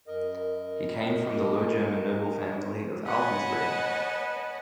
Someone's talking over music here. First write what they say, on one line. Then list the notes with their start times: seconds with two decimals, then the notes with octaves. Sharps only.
He came from the Low German noble family of Alvensleben.
0.07 F#2 A#4 D#5
3.05 B4 C#5 D#5 F#5 G#5 A5